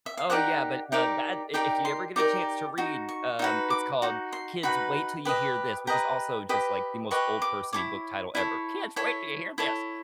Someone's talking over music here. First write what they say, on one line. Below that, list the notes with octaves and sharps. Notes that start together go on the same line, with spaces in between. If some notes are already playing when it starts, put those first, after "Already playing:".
Oh yeah, but, uh, that i if you ever get a chance to read, um, it's called, Kids, Wait Till You Hear This!, which is also just, like, the most old person-y book title ever "Kids, wait 'till you hear this,"
E5
F5
D#4 G4 A#4 D5 F#5
D#4 G4 A#4 D5
D#4 G4 A#4 D5 G5
C6
D#4 G4 A#4 D5 D6
D#4 F#4
C#6
D#4 F#4 B4
D6
D#4 F#4
C6
D#4 F#4 B4 B5
G4 B4 D#5
G4 B4 D#5 A#5
G4 B4 D#5
G4 B4 D#5 C#6
D6
E4 A4 C#5 D6
E4 A4 C#5
E4 A4 C#5
E4 A4 C#5